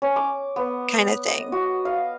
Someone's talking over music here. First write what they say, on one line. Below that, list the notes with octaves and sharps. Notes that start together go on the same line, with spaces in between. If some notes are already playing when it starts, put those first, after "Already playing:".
kinda thing.
C#4
D6
B3
D#5
F#4
F5